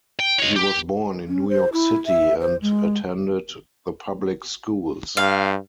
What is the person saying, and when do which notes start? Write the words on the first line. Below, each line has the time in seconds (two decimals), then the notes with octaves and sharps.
He was born in New York City and attended the public schools.
0.19 G5
0.38 C#5 D#5
0.56 G4
1.28 C#4
1.49 C5
1.73 E4
2.06 E5
2.41 C5
2.62 G#3
5.17 G2 F5